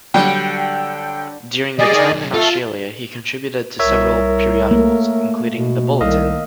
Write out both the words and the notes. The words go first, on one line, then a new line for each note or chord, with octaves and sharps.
During the time in Australia he contributed to several periodicals, including "The Bulletin".
D3 F#3 G3 D4 G5
G3 G4 G#4 D5 D#5
D#4 A#4
B1
A3 F4 A4
C2 A#4 C#5 E5
A3 A#3
B2
C2 D#3 D#5 F5